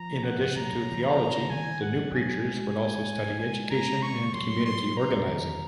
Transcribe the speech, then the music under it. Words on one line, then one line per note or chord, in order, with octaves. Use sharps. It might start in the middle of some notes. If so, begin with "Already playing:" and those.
In addition to theology, the new preachers would also study education and community organizing.
Already playing: F3 A#5
F#5
F#3 A#5
F#3
D#3
F3 A#5
C#3
D#3 G#5
F#5
F#3
G#5
G#3
G#3 G#5
A#5
C#6
F#3 C6
C6
A#5
D#3